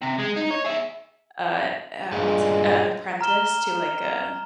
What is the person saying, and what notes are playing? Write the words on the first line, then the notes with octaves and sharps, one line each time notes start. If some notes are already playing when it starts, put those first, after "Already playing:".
Uh uh, what's it a an apprentice to, like, a
C3
G#3
D#4
C#5
G#4 E5
G2 A#2 G#3
A#5 F6 E7 G7